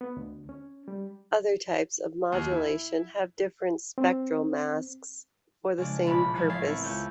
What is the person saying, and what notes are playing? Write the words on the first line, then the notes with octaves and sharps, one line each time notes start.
Other types of modulation have different spectral masks for the same purpose.
B3
D2
C#4
G3
D#2
E4
C4
C#3 F3 G#3 D4
E1 A#1 D4 B5
F3 G#3 B3 D#4
A1 A4 C#5 E5 A6 C7
B3 C4 A#4
C#2 C#4 G6